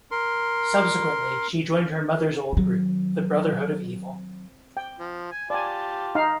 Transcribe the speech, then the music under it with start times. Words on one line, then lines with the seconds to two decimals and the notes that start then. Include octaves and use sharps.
Subsequently, she joined her mother's old group, the Brotherhood of Evil.
0.11 A#4 C6
2.53 D#3 F#3
4.77 G5
4.99 F3
5.32 G#5
5.50 F4 G4 D5 G#5 A5
6.15 D#4 F5